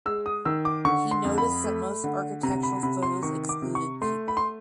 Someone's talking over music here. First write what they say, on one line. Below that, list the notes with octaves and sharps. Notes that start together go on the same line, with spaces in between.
He noticed that most architectural photos excluded people.
G#3 E6
D#6
D#3 E6
D6
D3 C#6
C6
F2
B5
A3
D3
C3 A#5
B5
C3 B5
C6
D#3 C#6
D6
C3
C#6
A3 C6
B5
C6